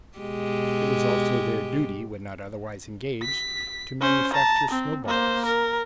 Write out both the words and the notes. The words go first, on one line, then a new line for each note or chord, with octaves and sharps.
It was also their duty, when not otherwise engaged, to manufacture snow-balls.
B2 G#3 G4
B6
C#4 C5
A5 A#5
C4
A#3 C5
A#4